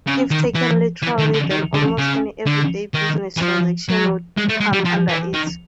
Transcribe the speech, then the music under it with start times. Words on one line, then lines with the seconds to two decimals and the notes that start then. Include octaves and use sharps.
If taken literally then almost any everyday business transaction would come under it.
0.07 C#3
0.31 D#3
0.54 E3
1.02 E3
1.19 D#3
1.34 D3
1.50 D#3
1.74 D3
1.98 C#3
2.46 D3
2.94 D#3
3.37 E3
3.41 F3
3.89 F#3
4.37 G#3
4.49 A3
4.60 G#3
4.73 G3
4.85 F3
5.09 E3
5.33 D#3